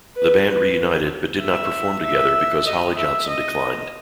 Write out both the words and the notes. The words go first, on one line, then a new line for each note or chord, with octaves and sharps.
The band reunited but did not perform together because Holly Johnson declined.
B4
B4
E5
E5
D#5
E5
D#5